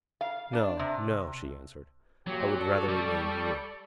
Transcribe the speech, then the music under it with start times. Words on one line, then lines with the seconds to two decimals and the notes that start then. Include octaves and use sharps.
"No, no," she answered, "I would rather remain here."
0.21 F5
0.53 D4
0.79 C3
2.27 A#2 F#3 G4
2.59 A4 D5 C#6
2.88 G3 G4